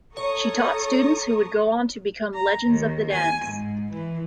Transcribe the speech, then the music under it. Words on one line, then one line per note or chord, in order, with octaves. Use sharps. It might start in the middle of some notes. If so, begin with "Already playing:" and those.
She taught students who would go on to become legends of the dance.
A4 C#5 A#5 C#6 D#6
A#5
D#2
G#5
G#2
E3